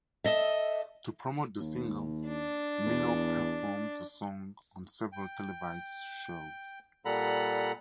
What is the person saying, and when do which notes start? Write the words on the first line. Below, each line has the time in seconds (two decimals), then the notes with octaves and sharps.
To promote the single, Minogue performed the song on several televised shows.
0.24 A4 D#5 E5
1.60 D#2
2.28 D4
2.86 E2
5.12 G5
7.05 A#2 G3 A4 F#5 A#5 B5